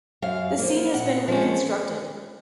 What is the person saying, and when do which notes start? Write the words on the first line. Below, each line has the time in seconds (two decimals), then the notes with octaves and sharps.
The scene has been reconstructed.
0.22 F#2 F5
0.58 F3 A#3
0.93 A#2 F#5
1.28 F3 G#3 C#4